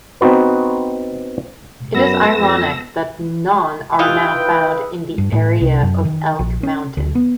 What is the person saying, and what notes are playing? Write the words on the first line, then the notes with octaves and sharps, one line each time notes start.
It is ironic that none are now found in the area of Elk Mountain.
B3 C4 D#4 F#4 B4
F#2 B3 E6 A#6
F2
D#3 E3 F4 G4 G5 D#6 E6 F#6
B4
G2
A2
C2
F#2
D#3
A#1
C#4
D2
B3